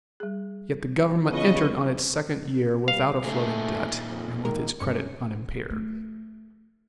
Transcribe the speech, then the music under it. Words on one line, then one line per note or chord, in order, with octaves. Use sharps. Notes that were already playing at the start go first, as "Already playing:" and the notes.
Yet the Government entered on its second year without a floating debt and with its credit unimpaired.
G3 G#4
C#3 B3 F4 B4 D#5 C#6
G3 F5
A#2 C#3 A3 D#4 G#4 C7
F2
D#3 G#3 A#4
G2 G#3 C#4 C#7
A3